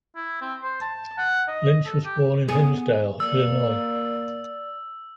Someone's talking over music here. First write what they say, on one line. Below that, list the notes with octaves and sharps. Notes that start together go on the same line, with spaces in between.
Lynch was born in Hinsdale, Illinois.
E4
C4
C5
A5
F#5
D#5
A4
G4
B3 G#4
A#3 D5 E6